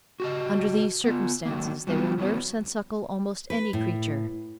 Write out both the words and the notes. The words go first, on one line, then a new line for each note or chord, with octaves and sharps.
Under these circumstances, they will nurse and suckle almost any creature.
F#4 G4 D#5
B3 F4
D#3 F#3 A#3
F#3 G3 B3 F4
E3 F#3 G3 B3 C#4
B4
A2